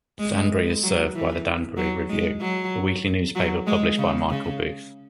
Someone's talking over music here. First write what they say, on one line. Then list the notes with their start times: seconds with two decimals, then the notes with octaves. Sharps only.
Danbury is served by "The Danbury Review", a weekly newspaper published by Michael Buth.
0.19 G#3
0.83 F#3
1.15 E3
1.77 F#3
2.09 G#3
2.41 F#3
3.35 F#3
3.67 G#3
3.98 C#3
4.30 C#3